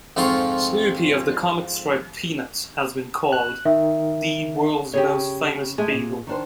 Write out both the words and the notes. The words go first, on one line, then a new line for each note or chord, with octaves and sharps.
Snoopy of the comic strip "Peanuts" has been called "the world's most famous beagle".
F2 G#2 F4 C6 C#6
F#6
D#3 E5
C#3 G4 G#4 C#5
G#3 A3 G#4
A#2
D#3 D4 C5